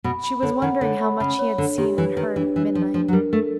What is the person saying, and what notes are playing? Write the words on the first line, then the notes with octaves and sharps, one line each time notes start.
She was wondering how much he had seen and heard at midnight.
B2 B5
B5
D3 C#5
D#3 F#5
D3 C#5
B5
C#3 B5
C#5
D3 D4
D#3 G4
E3 B4
D#3 B4
E3 D4
E3 D4
F3 D4
F3 D4
F#3
G3 A#4
A3 A#4